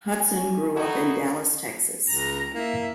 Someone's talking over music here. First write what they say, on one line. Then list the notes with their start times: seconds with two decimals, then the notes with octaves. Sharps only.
Hutson grew up in Dallas, Texas.
0.20 G#5
0.76 D#4 E4 F#4 A4 A#4 D5
2.09 C#2 A#5 A#6
2.54 A#3 E4 E5